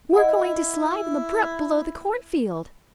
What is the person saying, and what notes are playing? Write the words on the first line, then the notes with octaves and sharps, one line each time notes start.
"We're going to slide on the brook below the cornfield."
E4 D#5 F#5